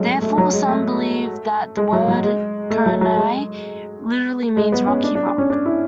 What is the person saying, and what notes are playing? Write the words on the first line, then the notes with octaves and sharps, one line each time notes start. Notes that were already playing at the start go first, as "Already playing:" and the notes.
Therefore, some believe that the word Kranai literary means "rocky, rock".
Already playing: F#3 G#3 A3 C#4
A3
F#3
G#3
A3
G#3
F#3
F#3
G#3
A3
F#3
F#3
G#3
G#3
B3
C#4
D4
D4
D4
C#4
D4
E4